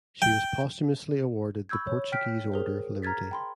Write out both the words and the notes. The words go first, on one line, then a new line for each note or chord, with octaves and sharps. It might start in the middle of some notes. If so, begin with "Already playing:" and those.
She was posthumously awarded the Portuguese Order of Liberty.
G5
B5 C#6 E6 G6 G#6
C#5
G5 F6 G6 B6 D7
G#4 A#4 C5
A#5 F6 G#6 A6 B6
G5 B5 C6